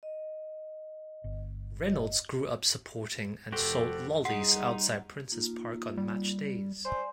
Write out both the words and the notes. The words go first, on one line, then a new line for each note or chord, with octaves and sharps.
Reynolds grew up supporting and sold lollies outside Princes Park on match days.
D#5
G1
D#5
F1 F#4 G4 A4 C5
G3 D#4 G#4 F#5 C6
A#3 D#4 F4
G3
C5 D5 G#5 C6